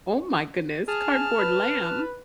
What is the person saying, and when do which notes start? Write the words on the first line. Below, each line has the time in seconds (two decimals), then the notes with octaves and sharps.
Oh my goodness, Cardboard Lamb?
0.88 G#4 A5 F6
1.39 B4